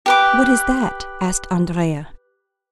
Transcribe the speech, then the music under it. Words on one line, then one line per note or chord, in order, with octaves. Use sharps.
"What is that?" asked Andrea.
G4 B4 D6